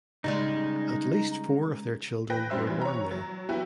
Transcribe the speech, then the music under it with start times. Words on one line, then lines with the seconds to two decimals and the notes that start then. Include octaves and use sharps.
At least four of their children were born there.
0.24 C#3 G3 G#3 D#4
2.30 B4 G5 F#6 A#6
2.50 F#2 D#3 G3 C5 E5 E6
2.67 E3 G3
2.81 C#5 A#5
3.11 F#3
3.49 B3 E4 F#4 G4 B4